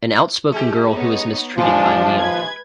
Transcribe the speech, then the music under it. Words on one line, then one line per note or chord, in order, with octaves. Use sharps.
An outspoken girl who is mistreated by Neal.
G#3 G4
B3 D#4 C#5
D#2 A2 F3 G#3 D4
B4 G#6